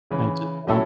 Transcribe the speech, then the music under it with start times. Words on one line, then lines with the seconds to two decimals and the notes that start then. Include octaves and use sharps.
I just don't.
0.10 C#3 E3 C#4
0.67 A2 F#3 C#4 E4 A4